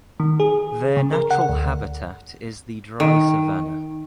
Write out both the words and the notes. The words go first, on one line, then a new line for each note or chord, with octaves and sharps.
Their natural habitat is the dry Savannah.
D#3
G#4
C#3
A#4
F#5
D2
D#3